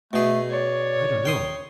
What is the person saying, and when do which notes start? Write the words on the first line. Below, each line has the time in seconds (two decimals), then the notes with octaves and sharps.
"I don't know."
0.13 B2 A3 G#4
0.50 C#5 D5
1.25 G5 C6 D#6